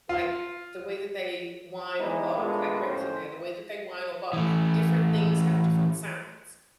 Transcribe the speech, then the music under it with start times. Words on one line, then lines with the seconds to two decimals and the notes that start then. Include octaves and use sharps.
like, the way that they whine or bark I agree with you there, the way that they whine or bark, different things have different sounds,
0.09 F4
1.99 E3 G3 G#3 B3 D#4 E4
2.34 A#2 G#3 A3 B3 D4 F4
2.82 F2 A2 C#4 C5
4.33 E3 A3